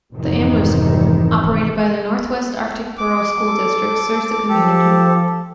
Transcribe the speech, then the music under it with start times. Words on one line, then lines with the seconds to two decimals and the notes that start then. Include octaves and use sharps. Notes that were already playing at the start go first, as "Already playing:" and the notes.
The Ambler School, operated by the Northwest Arctic Borough School District, serves the community.
0.14 F1 F2 G#2 C3 D#3 E3
2.98 D6
3.46 A4
4.49 F3 G4 A4